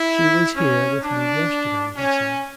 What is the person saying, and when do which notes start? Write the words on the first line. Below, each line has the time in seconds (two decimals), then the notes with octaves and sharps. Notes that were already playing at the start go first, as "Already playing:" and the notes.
'She was here with me yesterday,' he said.
Already playing: E4
0.56 C#4
1.03 D4
1.97 C#4